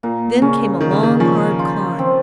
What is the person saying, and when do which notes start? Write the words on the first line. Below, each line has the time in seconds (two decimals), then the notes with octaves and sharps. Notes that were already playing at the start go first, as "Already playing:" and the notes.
Then came a long, hard climb.
0.03 A#2 A#3
0.42 C#3 C#4
0.81 D#3 A#3
0.91 C#3
1.03 D#3
1.20 F3 C#4
1.59 F4
1.99 C4